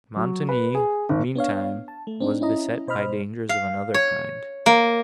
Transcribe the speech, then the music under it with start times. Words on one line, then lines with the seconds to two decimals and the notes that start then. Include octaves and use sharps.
Montoni, meantime, was beset by dangers of another kind.
0.16 F#3
0.49 B4
0.75 G#4
1.09 G#1
1.35 B3 D4 C#5 F5
1.88 A5
2.07 A3
2.20 C4 D4 D#4
2.41 C#4 E4 D#5 A#5
2.88 B2 C5 D#5 B5 F6
3.49 F5
3.94 C#5
4.66 A#3